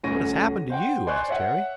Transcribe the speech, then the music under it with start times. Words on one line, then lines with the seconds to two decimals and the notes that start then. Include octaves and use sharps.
"What has happened to you?" asked Harry.
0.03 D#1 D2 C#4 C#6 A#6 D#7
0.70 C5 F#5 G5
1.07 C5 D5 G#5 C6 C#6 F#6
1.29 C#5 E5 F#5